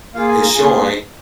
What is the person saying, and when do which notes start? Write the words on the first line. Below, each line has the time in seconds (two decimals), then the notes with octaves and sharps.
is showing
0.14 A#3 F4 G#4 F5
0.28 G#5
0.41 A#5
0.53 A#3 F4 G#4